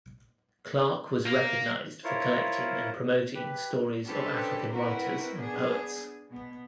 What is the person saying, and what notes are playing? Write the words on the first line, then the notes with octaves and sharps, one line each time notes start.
Clarke was recognized for collecting and promoting stories of African writers and poets.
A#3
E4 F4 A#4 C5 C#5
G4 B4
C#4 D4 G4 A4 B4 C5
C4 E4 F#4 A#4 B4
B3 D4 G#4
B2 B3